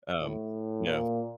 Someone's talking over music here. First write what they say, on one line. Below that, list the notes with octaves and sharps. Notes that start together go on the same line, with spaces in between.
Um, yeah.
A2
A#2